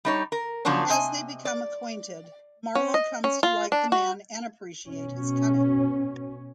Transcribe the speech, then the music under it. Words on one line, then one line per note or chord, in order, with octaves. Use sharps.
As they become acquainted, Marlowe comes to like the man and appreciate his cunning.
G3 D#4 C#5
A#4
C#3 F3 F#3 A#3 D4 C#5
C3 D#5 G#5
D5
C#4
D#5
C#4
F4
D4
F#4
B2 C#4